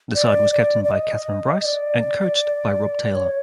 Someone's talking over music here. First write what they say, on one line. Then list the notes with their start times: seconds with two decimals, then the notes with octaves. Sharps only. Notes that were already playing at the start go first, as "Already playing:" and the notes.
The side was captained by Kathryn Bryce and coached by Rob Taylor.
0.15 D5
0.52 D5
0.84 D5
0.91 D#5
1.65 D5
3.15 C#5